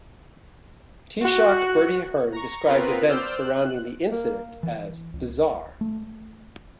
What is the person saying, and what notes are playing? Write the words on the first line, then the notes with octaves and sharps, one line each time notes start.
Taoiseach Bertie Ahern described events surrounding the incident as "bizarre".
F#4
A#5 C#6
B3 C4 F4 A#4 B4
C5 D5 E6 F6 G6
F#6
A#3
E3
C#2
A3